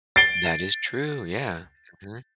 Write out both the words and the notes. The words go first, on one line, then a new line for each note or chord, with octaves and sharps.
That is true, yeah, mhm.
A6 C7 D7 G7